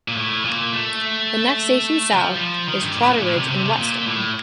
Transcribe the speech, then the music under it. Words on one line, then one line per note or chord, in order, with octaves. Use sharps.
The next station south is Totteridge and Whetstone.
A#2
A2
A#2
A3
F3
G3
F3
D#3
G2
A2
A#2
A2
C3
C3
C3
A#2
A2